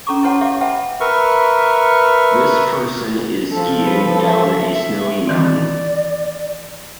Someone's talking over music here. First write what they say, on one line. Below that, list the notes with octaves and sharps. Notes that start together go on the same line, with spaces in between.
This person is skiing down a snowy mountain.
C#4 A4 A#5 C#6 D6
E4 F#4 B4 C#5 F#5 A5
G4 C#5 E5 F5 D6
B4 E5 F#5 G5 A5 B5
A#4 B4 E5 C#6 F6
F3 A4
B4
E5
E5
D#3 E3 C4 D5